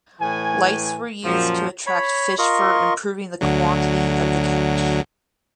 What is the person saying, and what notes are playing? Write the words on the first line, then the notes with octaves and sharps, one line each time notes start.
Lights were used to attract fish for improving the quantity of the catch.
A2 E3 G#5
F#2 A#2 F3
C#5 B5
F4 A#4 D#5 C6 C#6
D2 D3 F#3